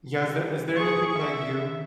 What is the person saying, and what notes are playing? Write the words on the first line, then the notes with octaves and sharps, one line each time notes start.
Yeah, is there is there anything that you
G3
G#4 C#6
E5